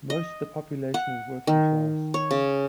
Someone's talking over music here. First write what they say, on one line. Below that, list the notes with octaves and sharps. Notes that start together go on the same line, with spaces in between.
Most of the population is working class.
D#5
F#5
D#3
C#5
C#3